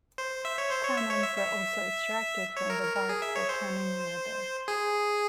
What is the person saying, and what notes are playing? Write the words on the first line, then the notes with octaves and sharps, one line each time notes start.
Tannins were also extracted from the bark for tanning leather.
C5
E5
C#5
C5
C#5
E5
C#5
E5
E5
C#5
A#4
A#4
A#4
G#4
E5
C#5
C5
G#4